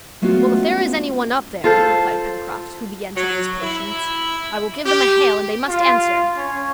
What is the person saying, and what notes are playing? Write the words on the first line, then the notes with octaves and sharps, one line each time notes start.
"Well, if there is any one up there," replied Pencroft, who began to lose patience, "I will give them a hail, and they must answer."
G#3 A3 B3 C#4 F4 F#4
F4 A4 C5
F#3
E4
G4
F4
C#4